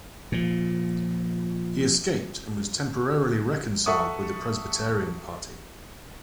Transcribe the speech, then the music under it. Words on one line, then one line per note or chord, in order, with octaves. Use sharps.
He escaped and was temporarily reconciled with the Presbyterian party.
A#2 F3
A4 E5 F#5 C#6 D#6